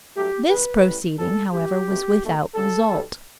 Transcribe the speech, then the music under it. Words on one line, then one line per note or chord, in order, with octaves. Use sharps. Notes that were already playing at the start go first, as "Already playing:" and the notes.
This proceeding, however, was without result.
G2 F#3 A3 G4
E2 C#3 G3 B4
A1 A2 E3 G3
F#2 E3 G3 A4
A1 G2 E3 G3 G4
C#2 B2 A3
B1 B2 A3
D2 C#3 G3 A4
B1 B2 G3